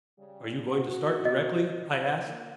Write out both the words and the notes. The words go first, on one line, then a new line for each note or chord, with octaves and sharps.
"Are you going to start directly?" I asked.
C#3 G3
F#4
D#5
B2 F4 D5
F3 A#3